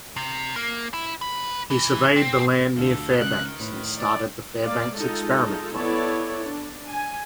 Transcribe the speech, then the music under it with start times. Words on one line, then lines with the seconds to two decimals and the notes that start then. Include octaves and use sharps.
He surveyed the land near Fairbanks and started the Fairbanks Experiment Farm.
0.16 C3
0.56 A#3
0.94 E4
1.22 B4
1.70 E3
2.16 C4
2.77 D2 D3 F3 A4
3.21 C#2 D#3 F#6
3.60 A2 B4
3.99 D5
4.63 A#3 D5 F5
4.95 G#3 D#4 F4 A4
5.76 B3 E4 A4 C#5 D5
6.45 D4
6.90 G#5